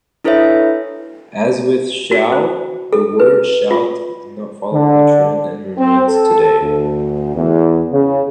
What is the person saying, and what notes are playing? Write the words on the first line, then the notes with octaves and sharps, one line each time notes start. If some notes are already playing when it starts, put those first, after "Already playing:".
As with "shall", the word "shalt" did not follow the trend and remains today.
D4 E4 A4 B4 C#5 E5
F#4
C5
A4
B4
F4
D3
C4
A4
D2
E2
C#3